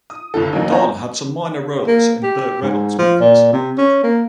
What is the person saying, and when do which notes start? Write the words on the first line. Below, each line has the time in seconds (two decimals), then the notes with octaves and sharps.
Don had some minor roles in Burt Reynolds movies.
0.10 D#6
0.34 G1 C2 G2 D3 A4
0.53 A1 D#2 F#3 A#3
0.70 B3 F4 F#4 C5 C#5 A#5
1.87 A#3
2.23 G4
2.62 G#2
2.98 F3
3.20 A#2
3.53 C3
3.78 C#4
4.03 A#3